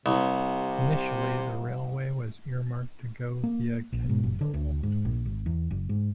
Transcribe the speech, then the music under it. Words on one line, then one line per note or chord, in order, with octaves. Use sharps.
Initially the railway was earmarked to go via Kendal.
C2 C3
A#3
A#1
G#2
F#1
D3
D2
G#2
A#1
G#1
E2
F#1
G#2